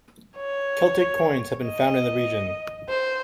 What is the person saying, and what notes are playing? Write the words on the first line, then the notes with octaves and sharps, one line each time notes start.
Celtic coins have been found in the region.
C#5
D#5
C5